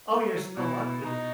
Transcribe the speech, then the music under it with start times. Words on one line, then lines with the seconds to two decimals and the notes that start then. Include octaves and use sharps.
Oh, you're so lucky.
0.13 A3
0.35 F#3
0.57 B2 E4
0.80 B2
1.02 B2 D#4